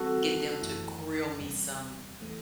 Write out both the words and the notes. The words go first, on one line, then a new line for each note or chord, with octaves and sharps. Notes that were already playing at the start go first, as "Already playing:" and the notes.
get them to grill me some,
Already playing: E3 G3 C4 F#4 A4
F#2 E3 A3 E4
E2 C3 G3
E3 A3